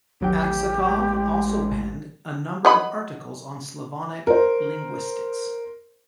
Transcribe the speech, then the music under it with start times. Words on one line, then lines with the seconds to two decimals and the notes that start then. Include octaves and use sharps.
Aksakov also penned a number of articles on Slavonic linguistics.
0.21 A1 D#2 F#3 G4 G5
0.85 G#3
2.65 F#3 D#5 B5
4.27 A#4 C5